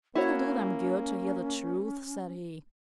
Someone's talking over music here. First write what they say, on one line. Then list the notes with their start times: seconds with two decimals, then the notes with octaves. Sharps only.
"It'll do them good to hear the truth," said he.
0.15 A#3 C#4 E4 F#4 C#5